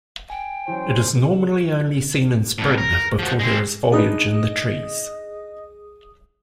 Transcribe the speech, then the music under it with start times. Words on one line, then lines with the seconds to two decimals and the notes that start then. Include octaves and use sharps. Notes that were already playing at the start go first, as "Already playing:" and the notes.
It is normally only seen in spring before there is foliage in the trees.
0.30 G5 G#5
0.68 E3 F#3 C#4 C5
2.58 F2 A2
2.78 A#4
3.19 F3 F#4
3.39 G#3 C4
3.92 D4 D#4 G#4 B4 D#5 D#6